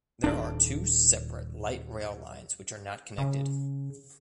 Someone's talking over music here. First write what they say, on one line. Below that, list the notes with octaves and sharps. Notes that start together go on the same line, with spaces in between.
There are two separate light rail lines which are not connected.
D#1 D4
C#3